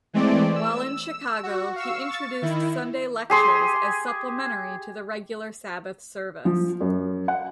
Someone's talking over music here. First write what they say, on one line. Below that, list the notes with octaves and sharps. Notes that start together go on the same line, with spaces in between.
While in Chicago he introduced Sunday lectures as supplementary to the regular Sabbath service.
E3 G#3 A3 C4 D5
E6
F#4
F5 C#6 E6
C#6 A6
D#3 E4
G4 G#4 C6
F3
F#2
F#5